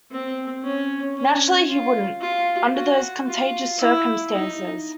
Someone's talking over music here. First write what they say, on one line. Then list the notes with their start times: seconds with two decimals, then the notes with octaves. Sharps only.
Naturally he wouldn't, under those contagious circumstances.
0.11 C4
0.63 C#4
1.16 C#4
1.68 F4
2.21 F4
2.73 F#4
3.27 F4
3.78 E4
4.32 D#4